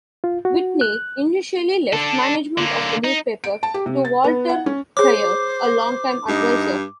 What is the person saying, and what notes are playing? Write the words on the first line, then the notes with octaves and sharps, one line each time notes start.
Whitney initially left management of the newspaper to Walter Thayer, a longtime advisor.
F4
F#4
F#6
D4 A4
D3 A#3
D#4
D7
A5
G4
C3
A6
B3
F#5
C#4
G#4 C5 C#5 D6
G2 D#4